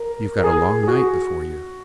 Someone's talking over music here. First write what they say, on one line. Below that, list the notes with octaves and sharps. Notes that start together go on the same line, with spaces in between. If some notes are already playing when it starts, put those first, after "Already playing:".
"You've got a long night before you."
Already playing: A#4
A#4
G#4
G#4
F#4